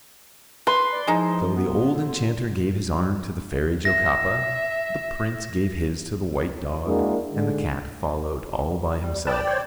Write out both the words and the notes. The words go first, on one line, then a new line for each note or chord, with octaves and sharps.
So the old enchanter gave his arm to the Fairy Jocapa, the Prince gave his to the white dog, and the cat followed all by himself.
B4 C6
D5
F3 G#3 D#4 E4
B3
D3
E5 A#6
G#3 A#3 D4 E4 F#4 A#4
G#2 D3
G3
B4 D5 G5 A5
C5 C#5